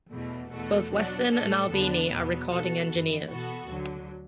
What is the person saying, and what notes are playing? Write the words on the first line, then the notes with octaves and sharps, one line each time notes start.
Both Weston and Albini are recording engineers.
E2 B2 A3
E2 B2 A3 F#4 A4
B2 F#3 D4 F#4
A2 A3 D4 A4
E2 D3 B3 D4
E2 B2 F#3 B3
B2 B3 F#4 A4
F#2 E3 B3
B2 B3 F#4 A4
D2 D3 F#3